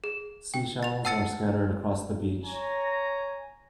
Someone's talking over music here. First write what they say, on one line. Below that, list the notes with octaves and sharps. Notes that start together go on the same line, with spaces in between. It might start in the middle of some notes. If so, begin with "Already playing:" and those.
Sea shells are scattered across the beach.
G#4
G5
A6 F7
F#5 A5 E6 A6 C#7
C#5 G#5 A#5